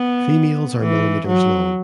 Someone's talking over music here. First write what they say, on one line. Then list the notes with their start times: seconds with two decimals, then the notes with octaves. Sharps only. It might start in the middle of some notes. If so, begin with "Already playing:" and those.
Females are millimeters long.
Already playing: B3
0.82 E3
1.27 F#3